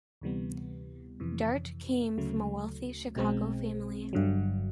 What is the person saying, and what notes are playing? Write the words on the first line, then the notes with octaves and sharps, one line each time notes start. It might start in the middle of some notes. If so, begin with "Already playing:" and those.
Dart came from a wealthy Chicago family.
D2 C3 E3 G3 B3
F2 C3 E3
D2 C#3 F#3 A3
B1 B2 G#3 C4
G1 G2 D3 F#3